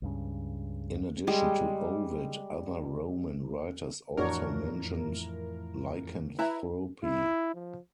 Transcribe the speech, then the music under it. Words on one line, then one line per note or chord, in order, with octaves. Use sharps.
In addition to Ovid, other Roman writers also mentioned lycanthropy.
C#2 G2 C#3
G3 G#3
F2 A2 E3 D4 F#4 A#4 C#5
E4 B4 E5 A#5
E4
F3